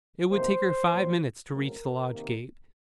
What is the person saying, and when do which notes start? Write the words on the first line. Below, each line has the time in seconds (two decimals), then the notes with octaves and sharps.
It would take her five minutes to reach the lodge gate.
0.30 C3 D#3 A#3 C5
0.91 A#2 F#3 A#3
1.51 C#3 F#3 A3 C4 A#4
2.11 C3 D#3 A#3